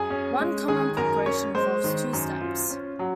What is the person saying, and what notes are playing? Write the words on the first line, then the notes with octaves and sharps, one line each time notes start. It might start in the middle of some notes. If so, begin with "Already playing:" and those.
One common preparation involves two steps.
Already playing: F#2 G#4 G#5
C#4
G#3
D#3 G#4 G#5
F#2 A#4 A#5
C#4 C#5
G#3 C5
D#3
F#2
F4
C#4
F#3